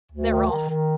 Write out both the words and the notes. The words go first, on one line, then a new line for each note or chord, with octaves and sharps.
They're off.
D2
D#3
D#3
D#3